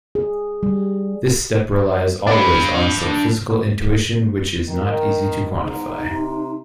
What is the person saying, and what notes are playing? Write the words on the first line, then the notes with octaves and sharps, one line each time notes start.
This step relies always on some physical intuition which is not easy to quantify.
G#4
G3
D4 B5
D#3
E2 G#2 D#4
C3